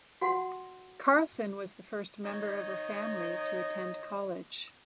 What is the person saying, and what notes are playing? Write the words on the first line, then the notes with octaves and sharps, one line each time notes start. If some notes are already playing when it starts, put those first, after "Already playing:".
Carlson was the first member of her family to attend college.
F#4 F#5 C6
D#3 C#5 D#5